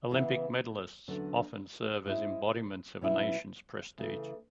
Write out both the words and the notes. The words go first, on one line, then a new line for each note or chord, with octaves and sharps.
Olympic medalists often serve as embodiments of a nation's prestige.
C#3 E3 B3 E4
E2 D3 F#3 C#4
G#2 G#3 C#4 E4
B2 F#3 C#4 E4
C#3 E3 A3